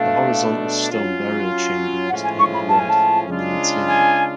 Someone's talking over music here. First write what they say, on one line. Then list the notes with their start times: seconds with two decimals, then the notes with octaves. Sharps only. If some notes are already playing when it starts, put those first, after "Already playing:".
The horizontal stone burial chamber was painted red on the interior.
Already playing: B2 A3 D4 F5
0.91 F#3 C#4 F4
2.09 A2 F3 G#3 C#4 F4 F#5
2.24 G#5
2.39 C#6
2.54 B5
2.68 A5
2.79 G#5
2.89 A5
3.28 C#3 G#3 D4 F4
3.87 G#5